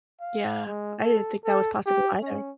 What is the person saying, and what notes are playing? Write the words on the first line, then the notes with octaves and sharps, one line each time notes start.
Yeah, I didn't think that was possible either.
F5
G#3
A4
A4
G4
C#4